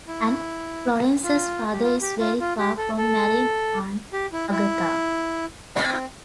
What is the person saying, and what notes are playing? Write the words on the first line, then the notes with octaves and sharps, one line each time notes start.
And Florence's father is very far from marrying Aunt Agatha.
E4
F4
G4
F4
G4
F4
F4
G4
A4
A4
G4
E4
E4
C4